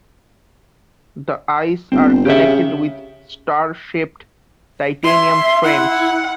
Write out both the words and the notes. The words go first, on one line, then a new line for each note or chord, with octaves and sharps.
The "eyes" are connected with star shaped titanium frames.
G1 C4
C#3 G4 E5
E5 C6
E4 F#5